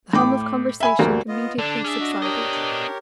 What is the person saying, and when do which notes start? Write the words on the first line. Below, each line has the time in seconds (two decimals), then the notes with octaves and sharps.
The hum of conversation immediately subsided.
0.13 A2 G5 D6
0.80 E5 G#5 B5
0.99 D2 G2 A#3
1.27 B3 F4 D#5
1.58 D3 D4 A4
1.84 C#4 G#4 E5 A5
2.00 F#4 D#5
2.22 B3 G4 A#4 C#5 D#5